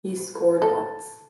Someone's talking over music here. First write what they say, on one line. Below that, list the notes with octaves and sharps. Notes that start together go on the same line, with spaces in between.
He scored once.
A4 A5